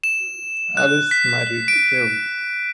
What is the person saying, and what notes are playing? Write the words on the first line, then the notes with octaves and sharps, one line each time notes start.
Alice married Revd.
E7
F#6
B6
D7